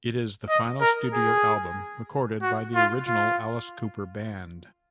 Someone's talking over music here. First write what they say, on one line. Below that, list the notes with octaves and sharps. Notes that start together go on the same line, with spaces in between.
It is the final studio album recorded by the original Alice Cooper band.
D#5
A#4
G#4
F#4
F4
F4